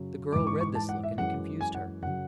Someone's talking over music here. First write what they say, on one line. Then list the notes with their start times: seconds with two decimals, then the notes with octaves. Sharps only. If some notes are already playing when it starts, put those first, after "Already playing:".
The girl read this look and it confused her.
Already playing: F#2 C#3 F#3
0.33 G#2 E3 G#3 D6
0.47 C#6
0.61 C#6
0.75 A5
0.89 F#5
1.03 E5
1.18 F#2 E3 G#3 F#5
1.61 G#5
1.74 F#5
2.02 F#2 C#3 F#3 F#5